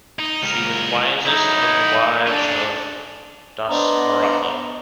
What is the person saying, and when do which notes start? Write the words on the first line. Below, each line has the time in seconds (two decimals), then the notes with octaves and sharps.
She was wisest of the wives of Dasaratha.
0.19 D#4
0.43 C#2 A#4
1.27 F#3 D#4 E4
2.27 C#4 D4 A4
3.67 B3 D4 C5 D5 D#5 A#5